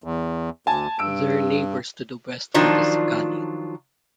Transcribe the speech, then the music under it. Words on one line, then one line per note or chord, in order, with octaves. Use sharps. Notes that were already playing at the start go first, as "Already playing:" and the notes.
Their neighbours to the west were the Sicani.
E2
D2 G#5 A5
G2 E6 D7
D#3 F3 F#3 D4 F4